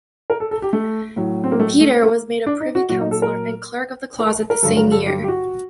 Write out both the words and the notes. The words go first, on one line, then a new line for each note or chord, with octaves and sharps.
Petre was made a privy counsellor and Clerk of the Closet the same year.
A#4
A4
A4
G4
A3
A2 F#3
C4
A#3
A3
A3
A#3
D4
D#4
F#4
A#2 F#3 F#4
D#4
A4
A#4
A#4
A#4
G2 D3 F#3 A4
A#4
A4
G4
G4
F#4